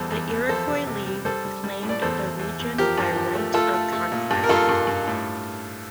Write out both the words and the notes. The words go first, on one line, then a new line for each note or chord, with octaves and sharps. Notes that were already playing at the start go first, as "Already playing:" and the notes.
The Iroquois League claimed the region by right of conquest.
Already playing: E2 G3 A4 C5
E2
E2
F2 A4 C5
C3
C3
G3
G3 A4 C5
G3
G3
A2
D5
E2 A4 C5
E2
E2
E2
F3 G4 A#4
G2
F3
A3
A3 F4 A4
A3
A3
A#2
G2
A#4
G2 F4 A4
G2
G2
A2